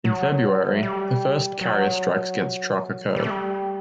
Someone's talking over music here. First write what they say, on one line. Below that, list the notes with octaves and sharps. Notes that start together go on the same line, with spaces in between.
In February the first carrier strikes against Truk occurred.
F#3
A3
G3
F#3
G3
A3
G3